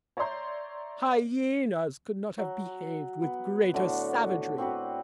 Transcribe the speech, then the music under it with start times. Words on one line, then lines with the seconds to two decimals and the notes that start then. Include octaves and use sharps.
Hyaenas could not have behaved with greater savagery.
0.17 C#5 D5 E5 A#5 C6 G6
2.38 F#3
3.22 B3
3.74 A2 D3 B3 F#4
4.58 C4 F#4 G4 B4